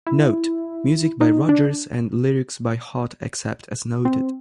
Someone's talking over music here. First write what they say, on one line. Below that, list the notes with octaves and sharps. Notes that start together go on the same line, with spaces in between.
"Note:" music by Rodgers and lyrics by Hart except as noted.
E4
D#4
D4
C4